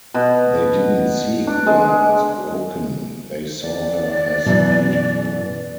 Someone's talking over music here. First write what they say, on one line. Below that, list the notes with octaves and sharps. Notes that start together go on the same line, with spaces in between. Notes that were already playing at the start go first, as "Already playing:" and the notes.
They didn't see her as broken, they saw her as beautiful.
B2
D4
G#3
D5
F#2 B2 E3